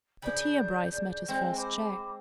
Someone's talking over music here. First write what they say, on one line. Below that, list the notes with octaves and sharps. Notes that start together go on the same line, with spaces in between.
But here Bryce met his first check.
C#3 F3 D4 D5 B5 G6
G#3 C4 A4
C5 B5 D6